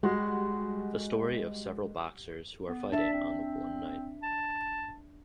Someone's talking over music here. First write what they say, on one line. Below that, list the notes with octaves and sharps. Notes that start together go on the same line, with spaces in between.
The story of several boxers who are fighting on the one night.
G3 G#3 F#4
B3
D4 E5 A5
C4
A5